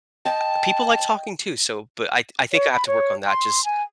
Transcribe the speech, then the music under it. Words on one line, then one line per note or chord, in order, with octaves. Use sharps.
uh, people like talking too, so, but I I think I have to work on that just
D#5 G5 A5
C#5
B5
C#5
C6
G#5